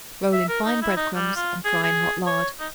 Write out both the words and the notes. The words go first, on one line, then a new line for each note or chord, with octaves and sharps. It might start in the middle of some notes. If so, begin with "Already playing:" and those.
Roll in fine bread-crumbs and fry in hot lard.
E5
A#4
D#4
E4
D#4
G3
F4
G#4
G#4
C#5
D#4